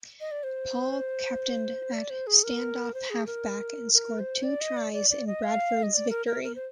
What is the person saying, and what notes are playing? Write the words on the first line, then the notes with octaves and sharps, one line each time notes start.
Paul captained at stand-off half back and scored two tries in Bradford's victory.
D#5
D5
C5
D5
C5
G#4
A#4
C5
G#4
A#4
A#4
C5
D5
D#5
D5
D5
D5
D#5
F5
D#5
D5
A#4
A#4
A#4
C5